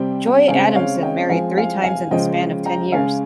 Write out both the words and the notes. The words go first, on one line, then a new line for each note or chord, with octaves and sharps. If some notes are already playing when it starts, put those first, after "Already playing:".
Joy Adamson married three times in the span of ten years.
Already playing: C3 G3 C4 G5
C#3 G#3 C4 F5 G#5
C#5 F5
D#5 G5
F3 G#3 C4 F5 G#5
F5 G#5
F5 G#5
C#3 F3 G#3 D#5 G5
G5 A#5
C#3 G#3 C#4 F5 G#5